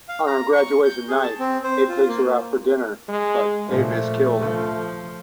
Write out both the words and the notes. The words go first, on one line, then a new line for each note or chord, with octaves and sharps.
On her graduation night Abe takes her out for dinner, but Abe is killed.
F5
A#5
C#6
G6
G#4
A5
C4
C5
F4
A#3
G#3
A#2 F3 A3
F3